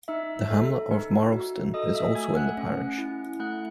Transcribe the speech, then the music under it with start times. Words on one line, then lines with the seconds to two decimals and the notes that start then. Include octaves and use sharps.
The hamlet of Marlston is also in the parish.
0.08 D#4 E5 E6
0.50 A4
0.91 D#4
1.32 F#4
1.74 A4 D#5 D#6
1.94 E5 E6
2.15 A3 G#5 G#6
2.36 F#5 F#6
2.57 C#4
2.98 E4
3.39 A3 F#5 F#6